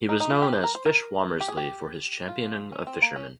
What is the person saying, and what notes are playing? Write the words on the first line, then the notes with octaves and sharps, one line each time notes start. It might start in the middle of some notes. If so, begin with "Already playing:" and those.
He was known as "Fish Womersley" for his championing of fishermen.
D#4
D#4
F4
G4
G#4
A#4
C5
A#4
G4
G#4
G4
F4
C#4
C4
A#3
C#4